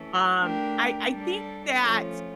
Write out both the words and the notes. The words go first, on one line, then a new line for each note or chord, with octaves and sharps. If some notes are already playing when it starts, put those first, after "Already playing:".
um, I I think that
Already playing: E3 A3 C#4
A3 D4 G4 A#4
G3 D4 A4
F3 A3 C#4 F4